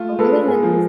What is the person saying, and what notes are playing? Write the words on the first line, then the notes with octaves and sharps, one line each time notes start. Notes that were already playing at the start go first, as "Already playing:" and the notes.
oh my goodness,
Already playing: A3 F4
G#3 A4 B4
G#4 A#4
F3